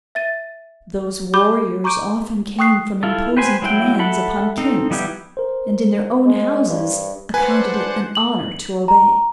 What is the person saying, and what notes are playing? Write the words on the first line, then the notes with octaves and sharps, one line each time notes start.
Those warriors often came from imposing commands upon kings, and in their own houses accounted it an honor to obey.
E5 A6 D#7
G4 B5 D6 G6
A#5 C#6 D6 G6 D7 D#7
G5 C#6 D#6 F#6 C7
E4 F4 A4
G4 B4 C5 G#5
F#3 E4 G5
A4 E5 F#5 B5
C4 D#4 A4
F3 G3 B3 E4 G4
A#4 C5
G#3
G2
D4 B4 C5 F#5 G#5
F#7
A#5